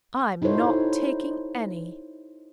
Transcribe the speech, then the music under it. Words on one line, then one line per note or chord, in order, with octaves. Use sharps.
I'm not taking any.
D#4 E4 F#4 A4 C5 C#5